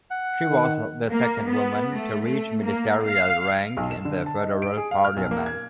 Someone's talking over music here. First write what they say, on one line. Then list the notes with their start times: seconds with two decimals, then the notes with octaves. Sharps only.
She was the second woman to reach ministerial rank in the Federal Parliament.
0.11 F#5
0.48 D#3
1.10 A#3
1.46 B3
1.93 A3
2.25 A3
2.63 A#3
3.08 F5
3.77 B1
3.91 E7
4.05 D3
4.26 A5
4.40 D#4
4.62 D7
4.77 G#4
4.91 F5
5.04 F6
5.16 B1
5.31 A#3
5.46 G#6